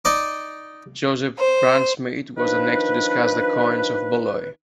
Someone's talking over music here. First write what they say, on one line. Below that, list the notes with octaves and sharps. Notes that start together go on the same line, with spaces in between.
Josip Brunsmid was the next to discuss the coins of Ballaios.
D#4 D5 D#5 D6
C5
D#3 F3 D4 D#4 B4